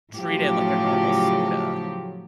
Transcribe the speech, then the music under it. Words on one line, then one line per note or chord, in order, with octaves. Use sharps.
treat it like a normal soda.
A2 C#3 F3 F#3 G4